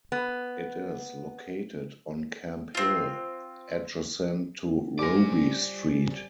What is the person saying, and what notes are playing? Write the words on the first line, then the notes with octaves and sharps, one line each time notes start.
It is located on Camp Hill, adjacent to Robie Street.
B3
C4 F4
G3 G4 C5 D5 G#5 D6 A#6